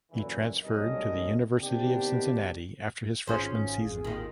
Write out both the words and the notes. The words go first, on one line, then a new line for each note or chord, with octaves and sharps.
He transferred to the University of Cincinnati after his freshman season.
F#2 A#2 D3 E3
B1 A2 G3 C#4 A#4 D#5
C3 D#3 B3 D4 G4
G#1 C#4 F4 G#4 C5
D#2 D#3